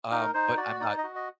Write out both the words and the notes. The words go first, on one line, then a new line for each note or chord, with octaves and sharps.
um, but I'm not
D#4 A#4
D#4 C5
F#4 D5
D#4 D5
D#5
F#4
D#5